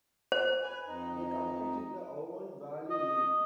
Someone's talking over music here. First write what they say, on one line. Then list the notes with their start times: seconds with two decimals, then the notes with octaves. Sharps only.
They compete in the Avon valley league.
0.32 C5
0.62 B4 G#5
0.87 F2 D#4
2.90 D#5